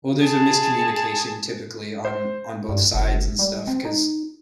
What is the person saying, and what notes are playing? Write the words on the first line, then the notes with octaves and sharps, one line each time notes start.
Well, there's a miscommunication typically on on both sides and stuff, 'cause
G#4 A5
C5
G2
F#1
G3
C4
D#4